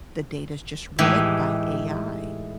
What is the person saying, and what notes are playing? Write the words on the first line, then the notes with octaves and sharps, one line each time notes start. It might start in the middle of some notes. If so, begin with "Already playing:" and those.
The data is just read by AI.
A2 E3 G#3 D#4 G4